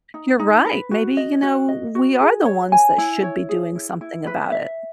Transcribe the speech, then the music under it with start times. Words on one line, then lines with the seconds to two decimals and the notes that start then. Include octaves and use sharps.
you're right. Maybe, you know, we are the ones that should be doing something about it.
0.14 D#4
0.39 D#4
0.65 B4
0.91 F#4
1.17 D#5
1.43 F#4
1.68 D#5
1.95 F#4
2.21 G#4
2.45 C#5
2.72 G#5
2.98 E4
3.23 C#5
3.49 G#4
3.75 E4
4.01 E4
4.27 B4
4.52 E5